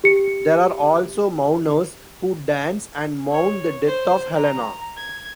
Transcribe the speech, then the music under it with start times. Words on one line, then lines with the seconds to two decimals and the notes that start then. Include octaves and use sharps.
There are also mourners who dance and mourn the death of Helena.
0.04 G4 C#7
3.30 C#5
3.86 C5
4.34 A#5
4.95 G#6